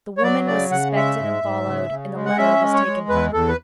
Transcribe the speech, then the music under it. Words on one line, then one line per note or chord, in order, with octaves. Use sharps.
The woman was suspected and followed, and the letter was taken from her.
C#5
F#3 D5
C#3 D5
C#3 F#5
G#3 E5
G#2
G#2
C#3
C#3
G#3
F#5
C#4 E5
G#3
C#5
G#3
E2 B4
E2 A4
B4